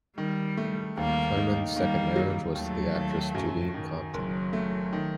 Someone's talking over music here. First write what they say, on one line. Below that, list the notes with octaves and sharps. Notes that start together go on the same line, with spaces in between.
Clurman's second marriage was to the actress Juleen Compton.
D#3 G3
A3
D#2 G3 A#3
D#4
D#3 G3 A#3
F#3
D#2 F#3 A3
D#2
F#2
D#3
F#1 F#3
A3
D#3